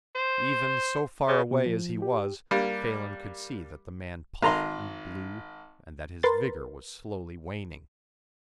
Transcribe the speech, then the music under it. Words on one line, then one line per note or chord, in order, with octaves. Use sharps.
Even so far away as he was Phelan could see that the man puffed and blew and that his vigor was slowly waning.
C5
C#3
B2
F3
G4
G3 A#3 D4
G#1 A#5 C6
A#4 B4 C6 A6